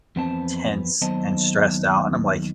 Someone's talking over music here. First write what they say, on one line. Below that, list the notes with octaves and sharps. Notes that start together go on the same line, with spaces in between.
tense and stressed out and I'm like,
F2 E3 B3 C4 C5 A5
D#2 F#3 B3 C5 D#5 A5